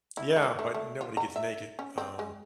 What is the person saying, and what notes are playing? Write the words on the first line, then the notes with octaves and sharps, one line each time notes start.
Yeah, but nobody gets naked. Um
E4
G#3
A3
A3
F4
A#5
E5
C#4
C4
G#3